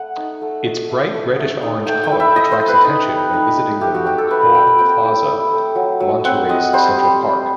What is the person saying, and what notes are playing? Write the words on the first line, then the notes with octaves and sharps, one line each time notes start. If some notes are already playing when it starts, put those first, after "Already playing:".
Its bright reddish-orange color attracts attention when visiting the Macroplaza, Monterrey's central park.
Already playing: A3 F#5
D#4
A3
A3
A3
A3
A3
D#4
A3 G5
G5
E4
E5
E4 D#5
C5
A3
B4
D#4
G3
D#4
D#4
A3 G4
F#4
A3 G4
A4
A3 B4
A5
A3 G5
A5
C4 G5
E4
E4
A3
F#3
F#3
C4 F#5
C4 D#5
G3 C5
G3
G3